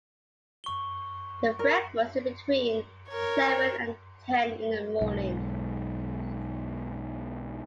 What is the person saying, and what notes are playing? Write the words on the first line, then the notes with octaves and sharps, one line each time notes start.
The breakfast is between seven and ten in the morning.
C#6 G7
A#4
A#4 C#5
B1 G#2